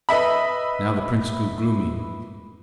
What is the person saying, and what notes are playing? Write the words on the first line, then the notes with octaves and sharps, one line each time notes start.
Now the prince grew gloomy.
B4 D#5 E5 B5